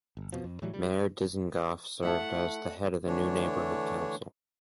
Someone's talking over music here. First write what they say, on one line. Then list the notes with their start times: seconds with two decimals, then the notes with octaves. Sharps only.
Meir Dizengoff served as the head of the new neighborhood council.
0.17 G1
0.33 F2 B2 F3
0.44 F2
0.62 A2 E3 F#3 G3
0.73 G3
2.03 A3 E4 E5 F#5 A5
3.07 D3 E3 A3 D4 C#5